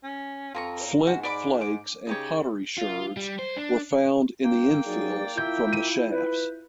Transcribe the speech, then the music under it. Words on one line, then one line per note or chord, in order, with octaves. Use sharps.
Flint flakes and pottery sherds were found in the infills from the shafts.
C#4
F2 F4 A#5 C#6
G#2 F#4
D5 B5 D6
D6
C#3 D#4 G4 C#5
F4
G3
C5
D4
A#3 G5
F#3 D#4 G#4 D5
E4 F4 E5 G6
D#7
B4